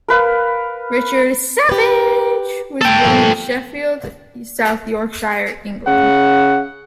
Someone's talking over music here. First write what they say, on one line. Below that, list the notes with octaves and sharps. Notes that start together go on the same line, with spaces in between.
Richard Savage was born in Sheffield, South Yorkshire, England.
A#4 B4 F5
G4 B4
A4 G5
G2 A#2 F3
C#3 F#5